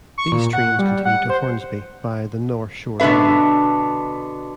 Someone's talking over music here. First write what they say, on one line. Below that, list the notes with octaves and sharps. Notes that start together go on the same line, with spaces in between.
These trains continue to Hornsby via the North Shore line.
C#6
A#2
F#5
G3
F#5
C5
B2 D3 D4 B4 E5